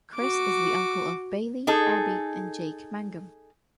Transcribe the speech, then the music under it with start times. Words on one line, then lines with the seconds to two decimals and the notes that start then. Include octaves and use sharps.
Kris is the uncle of Bailey, Abbey and Jake Mangum.
0.15 F#4 D6
1.67 D#4 G#4 A4